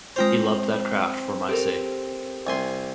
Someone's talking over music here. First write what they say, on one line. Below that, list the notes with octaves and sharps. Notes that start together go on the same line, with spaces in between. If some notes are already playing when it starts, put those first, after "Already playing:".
He loved that craft for my sake.
G#3 C4 F4 C5 G5 A#5 F7
G4 A4 A#4
C2 G#5 C6